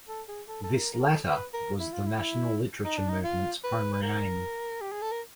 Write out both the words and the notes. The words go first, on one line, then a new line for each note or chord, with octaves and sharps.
This latter was the National Literature movement's primary aim.
A4
G#4
A4
A4
A#4
A#4
A4
B4
A#4
E4
F4
E4
D#4
D4
D#4
F4
B4
B4
A#4
G4
G#4
A4
A#4